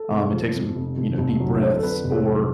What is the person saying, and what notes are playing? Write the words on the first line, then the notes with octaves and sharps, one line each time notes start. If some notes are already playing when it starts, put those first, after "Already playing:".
um, and take some, you know, deep breaths, or,
Already playing: A4
F1
F3
F2
F1
F1
F1
F#3
D3
A4
F2 B4
F1
G#4
A4
F#3